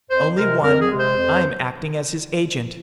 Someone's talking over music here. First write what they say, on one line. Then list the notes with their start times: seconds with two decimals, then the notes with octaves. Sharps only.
"Only one: I'm acting as his agent."
0.10 F2 C5
0.37 C3 G#3 A#4
0.63 F2 A#4
0.80 G#4
0.89 C3 G#3
0.98 C5
1.16 F2